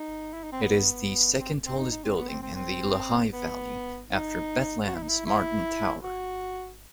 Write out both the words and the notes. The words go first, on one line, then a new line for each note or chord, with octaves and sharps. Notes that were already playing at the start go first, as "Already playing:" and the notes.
It is the second tallest building in the Lehigh Valley after Bethlehem's Martin Tower.
Already playing: D#4
E4
D#4
C4
B3
C4
C4
D#4
D#4
C4
B3
C4
C4
C4
B3
D#4
F#4
E4
D#4
E4
E4
F#4